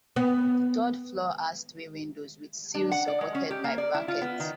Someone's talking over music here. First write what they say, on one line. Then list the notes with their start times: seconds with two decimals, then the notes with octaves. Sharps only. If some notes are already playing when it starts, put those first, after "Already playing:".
The third floor has three windows with sills supported by brackets.
0.16 B3
2.75 D4
2.91 F#5
3.08 D5
3.21 G#3
3.35 C#4
3.51 G4
3.64 A#3
3.78 D5
3.95 E4
4.08 F4
4.21 B3
4.40 D#3